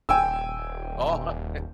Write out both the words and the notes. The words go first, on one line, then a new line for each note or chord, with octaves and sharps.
Oh, okay.
D#1 G5 G#5 E6